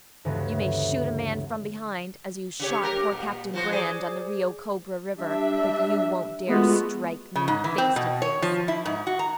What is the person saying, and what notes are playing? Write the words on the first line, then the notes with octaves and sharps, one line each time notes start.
You may shoot a man from behind, as you shot poor Captain Brand on the Rio Cobra River, but you won't dare strike me face to face.
D2 G2 C#3 E3 G#3 B3
C#3 G4 C#5
G#3 G4 A#4
A#2
F3 F#4 C5
G#4 C5 D5
G3 D4 E5
G#3 A3 B3 F4 F#4
C#3
G#2
E3
C4
B2
C#5
F3
E4
G#2
F#4
A#5